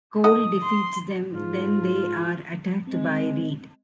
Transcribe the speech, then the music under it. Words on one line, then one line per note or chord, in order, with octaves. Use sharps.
Cole defeats them, then they are attacked by Reed.
D#4 A4 F#5 D#6
C6
G#2 F4
G#3 C4